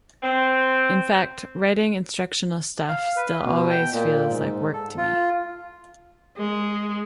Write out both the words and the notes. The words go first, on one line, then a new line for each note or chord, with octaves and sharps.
In fact, writing instructional stuff still always feels like work to m.
C4
F5
B4
B2
G5
A#2
G#2
A4
F4
G#3